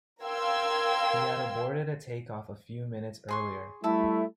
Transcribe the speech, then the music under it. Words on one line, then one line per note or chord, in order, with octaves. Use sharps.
He had aborted a take off a few minutes earlier.
A#4 F5 G5 C6 E6 G#6
G#4 C6 C#6
G3 A3 E4 E5 A5 B5